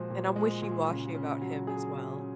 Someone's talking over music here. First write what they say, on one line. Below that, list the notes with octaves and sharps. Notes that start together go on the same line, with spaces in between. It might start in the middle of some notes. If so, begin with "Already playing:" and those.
and I'm wishy-washy about him as well.
Already playing: A#2 F3 G#3 F#4
A#2
G#3
A#2
C#3
C#3
F#3
F#3 G#4
C#3
C#3